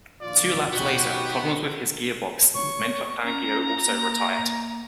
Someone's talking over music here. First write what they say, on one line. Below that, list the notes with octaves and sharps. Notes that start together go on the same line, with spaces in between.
Two laps later, problems with his gearbox meant that Fangio also retired.
A#1 D#3 F4 D5
B2 B3 D#4 F#4 G4
C#5 C#6
C#4 A#5
A#3